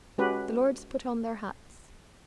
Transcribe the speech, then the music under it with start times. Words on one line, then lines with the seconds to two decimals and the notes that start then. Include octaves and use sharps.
The lords put on their hats.
0.18 G#3 C#4 F#4 G4 B4